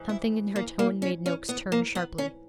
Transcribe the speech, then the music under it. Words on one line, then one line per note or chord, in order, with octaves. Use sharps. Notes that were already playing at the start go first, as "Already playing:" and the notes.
Something in her tone made Noakes turn sharply.
Already playing: G#2 E3
E4
A#3
A#3
C#4
C#4
B3
A#3
B3
C#4